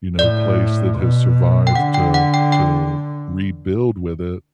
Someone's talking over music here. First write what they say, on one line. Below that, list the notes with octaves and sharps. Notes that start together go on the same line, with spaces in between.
you know, place that has survived to to rebuild with it.
A2 D5
B2
G5
D3 F#5
G5
F#5
G5
G5